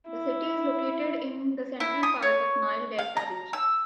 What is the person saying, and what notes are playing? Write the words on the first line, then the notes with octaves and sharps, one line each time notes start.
The city is located in the central part of the Nile Delta region.
E4
E4
D#6
C#5
F5
A#5
E6